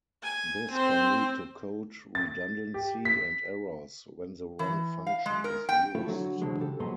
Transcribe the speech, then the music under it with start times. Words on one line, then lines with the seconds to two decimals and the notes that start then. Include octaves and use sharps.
This can lead to code redundancy and errors when the wrong function is used.
0.22 G#5
0.71 C4 C5
2.15 A6
2.74 G4
3.05 B6
4.59 E3
5.07 F5
5.26 G#3
5.44 A#4
5.69 G5
5.95 A3 C#4 E4 F4 A4
6.07 D3 F#3 F#4
6.41 C2 D3 E3 F#3 G#3 A3
6.59 C#3 G4 A4
6.79 F2 A#2 F#3 G#3 B3 C6